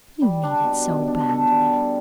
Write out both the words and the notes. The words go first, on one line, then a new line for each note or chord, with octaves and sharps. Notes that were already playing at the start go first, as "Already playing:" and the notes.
You need it so badly....
G3
D4
B2
B2
D4
A4
G3
G3